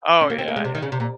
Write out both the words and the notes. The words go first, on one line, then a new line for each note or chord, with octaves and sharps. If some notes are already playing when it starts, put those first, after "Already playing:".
Oh yeah yeah.
C#4
A#3
C4
A#3
G#3
C3
D#3
C#3
C3
A#2